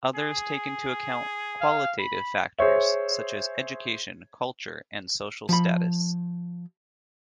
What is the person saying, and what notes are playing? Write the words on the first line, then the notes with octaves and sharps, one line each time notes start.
Others take into account qualitative factors, such as education, culture, and social status.
G#4
F5
B5
G#4 C5 C#5 E5
F3 B5